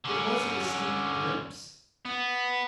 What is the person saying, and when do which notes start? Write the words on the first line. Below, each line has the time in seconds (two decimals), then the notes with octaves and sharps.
It was a distinct glimpse.
0.04 D3 C#4
2.05 B3